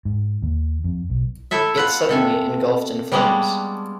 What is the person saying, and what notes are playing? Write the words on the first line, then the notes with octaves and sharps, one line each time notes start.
It suddenly engulfed in flames.
G#2
D#2
F2
B1
A3 E4 A4 E5
F4 B4 F#5
C3 A4 G#5
G3 G#3 A#3 B3 C#4 D4